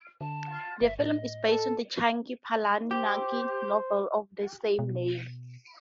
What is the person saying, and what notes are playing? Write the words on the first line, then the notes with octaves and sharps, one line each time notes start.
The film is based on the Chuck Palahniuk's novel of the same name.
D3 A5
G1 E5
A2 D#5
A4
G4 C5
B2